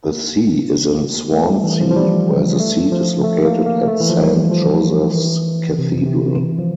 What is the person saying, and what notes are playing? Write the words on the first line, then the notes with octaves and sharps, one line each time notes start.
The see is in Swansea, where the seat is located at Saint Joseph's Cathedral.
A#3
A3
A3
G3
E3
F3
F3
G3
A3
F3
A3
A#3
A#3
A3
E3
F3
G3
F3
E3
C3
C3
D3
E3
F3